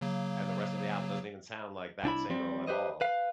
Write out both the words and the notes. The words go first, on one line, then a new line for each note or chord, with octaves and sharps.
and the rest of the album doesn't even sound like that single at all.
C#3 F#3 A#3
C2 D4 E4 B5
F3 G3 C4
G4 B4 C5 D#5
B4 F5